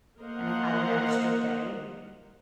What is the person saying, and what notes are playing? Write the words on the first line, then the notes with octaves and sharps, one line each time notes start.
and I had an extra day.
A#3 A#4 C5 D#5 F5 F#5